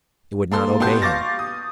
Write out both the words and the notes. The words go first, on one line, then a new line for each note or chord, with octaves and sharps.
It would not obey him.
A#3 A4 C6
B2 B3 G4 A5 C6 G6
F5 C#6 D6 A6 A#6
D#6